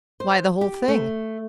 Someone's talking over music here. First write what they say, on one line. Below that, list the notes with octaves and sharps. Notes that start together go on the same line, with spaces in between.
Why, the whole thing!
C5
G4
A3